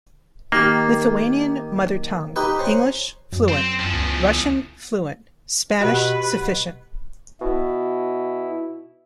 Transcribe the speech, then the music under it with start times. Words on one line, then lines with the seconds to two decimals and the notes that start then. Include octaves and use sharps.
Lithuanian - mother tongue; English - fluent; Russian - fluent; Spanish - sufficient.
0.52 D#3 A#3 G4
2.36 D#4 G4 B4
2.59 C#4 C5
3.32 F#2
3.48 C4
3.79 E2 F3
3.94 C#2
5.81 B2 F#4 G4 B4 D#5 F#5
7.41 B2 E4